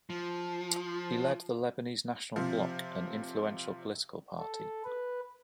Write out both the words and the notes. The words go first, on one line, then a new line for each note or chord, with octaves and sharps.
He led the Lebanese National Bloc, an influential political party.
F3
C3 F3
A4
B4